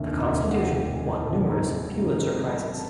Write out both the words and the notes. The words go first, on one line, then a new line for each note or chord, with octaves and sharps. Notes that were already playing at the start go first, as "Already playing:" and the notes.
"The Constitution" won numerous Pulitzer Prizes.
Already playing: F1 D#2 D3 E5
D#5
E5
F5
F#5
G5
G5
G#5
A5
B5
A#5
G#1 F#2 C#3
B5
A5